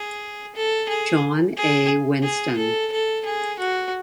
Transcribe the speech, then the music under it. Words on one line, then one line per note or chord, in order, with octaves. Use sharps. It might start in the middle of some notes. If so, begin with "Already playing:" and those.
John A. Winston.
Already playing: G#4
A4
G#4
G#4
G#4
A4
A4
G#4
F#4